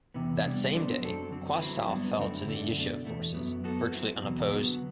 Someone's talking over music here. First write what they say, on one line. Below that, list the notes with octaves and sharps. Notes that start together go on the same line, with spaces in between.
That same day, Qastal fell to the Yishuv forces, virtually unopposed.
E2 C3 E3 B3
G3 B3 D4
F#3 B3 D4 A4 C5
F#2 F#3 C4 F#4 A4
D3 F#3 C4
F#3 C4 E4 B4
G2 F#3 B3 D4
F#2 D3 A3 C4 E4
F#2 D3 A3 D4
B2 A3 D4
E2 B2 A3 E4
F#2 F#3 B3
F#3 B3 F#4 A4
F#3 C4 E4
E2 B2 F#3
D3 F#3 B3